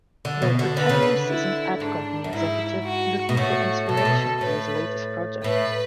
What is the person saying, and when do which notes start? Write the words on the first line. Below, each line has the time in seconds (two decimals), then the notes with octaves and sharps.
The protagonist is an ad company executive looking for inspiration for his latest project.
0.25 D3
0.42 B2
0.59 D3
0.77 D3 B4
0.89 C#3
1.02 D3
1.28 E4
1.80 G#2 D4
2.24 F#2
2.32 G#2 E4
2.85 F#4
3.29 B2
3.37 A2 F#4
3.89 B2 A4
3.97 A2
4.05 B2
4.41 A2 B4
5.44 A2 B4